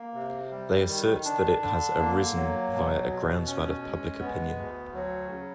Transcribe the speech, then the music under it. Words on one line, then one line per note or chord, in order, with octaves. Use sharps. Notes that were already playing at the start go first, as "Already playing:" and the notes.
They assert that it has arisen via a groundswell of public opinion.
Already playing: A#3
C3
G3
D#3
D4
D3
A#3
F#3
B2
B2
C#4
G#3
B3
D2
F#3
C#3